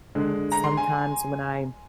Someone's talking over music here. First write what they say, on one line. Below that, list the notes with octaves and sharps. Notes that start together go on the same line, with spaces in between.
sometimes when I
D3 G#3
A#5
C6
G#5